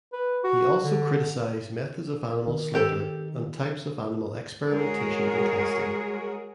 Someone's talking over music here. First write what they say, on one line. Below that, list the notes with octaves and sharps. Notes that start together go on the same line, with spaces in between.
He also criticised methods of animal slaughter and types of animal experimentation and testing.
B4
F#4
D3
D#3
C4 G4 A4
G#3 F#4 G#4 A#4 C#5